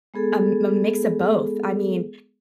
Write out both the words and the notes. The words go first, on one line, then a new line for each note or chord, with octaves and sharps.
Um, m mix of both. I mean,
G#3 B3 G#4 A4